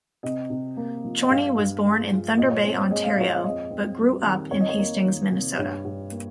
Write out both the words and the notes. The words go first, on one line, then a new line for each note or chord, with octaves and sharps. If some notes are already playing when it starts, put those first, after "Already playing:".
Chorney was born in Thunder Bay, Ontario, but grew up in Hastings, Minnesota.
C3 D#5
C3
A#3
F3
D#5
G2 F5
G2
G#3
F3
A#2 D#5
C#5
C4 C5
C#5
G#3 D#5
F5
D#5
F3 C#5
D#5
F5
F2 D#5
C4
G3
D#3
F2 C#5
D#5
C#5
A#3
D#3
C3
G2 C#5
G2
A#3